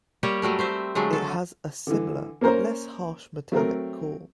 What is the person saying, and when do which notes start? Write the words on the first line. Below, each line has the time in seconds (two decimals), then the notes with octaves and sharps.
It has a similar but less harsh metallic call.
0.23 G3 A#3 G4 C#5
0.42 F#3 G3 A3 A#4
0.59 C4 C5 E5
0.95 D3 F#3 G#3 A3
1.13 A4
1.87 D3 E3
2.41 A#3 C#4 A#4 C5 A#5
3.52 F#3 A3 C4 A#4